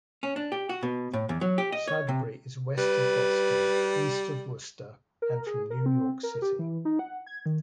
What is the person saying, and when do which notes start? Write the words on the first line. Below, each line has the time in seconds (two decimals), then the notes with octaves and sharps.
Sudbury is west of Boston, east of Worcester, and from New York City.
0.23 C#4
0.36 D4
0.52 G4
0.69 F#4
0.83 B2
1.13 A2
1.29 E2
1.41 F#3
1.58 G4
1.72 D#5
1.88 C#5
2.08 C3
2.78 G3 B4
5.22 A#4
5.47 G#4
5.70 A#4
5.86 C4
6.23 A#4
6.42 G4
6.59 E3
6.85 D#4
6.99 F#5
7.27 G#6
7.46 D#3